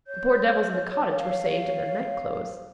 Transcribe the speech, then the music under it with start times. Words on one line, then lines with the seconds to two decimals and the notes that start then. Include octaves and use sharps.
The poor devils in the cottage were saved in their night clothes.
0.07 C#5 G6
1.15 F5